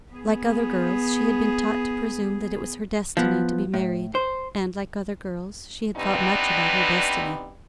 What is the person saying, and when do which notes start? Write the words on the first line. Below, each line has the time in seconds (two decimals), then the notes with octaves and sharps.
Like other girls she had been taught to presume that it was her destiny to be married, and like other girls she had thought much about her destiny.
0.13 B3 G#4
3.17 F3 B3
3.74 A2
4.15 C5
5.97 E3 G3 B3 C4 D4 D#4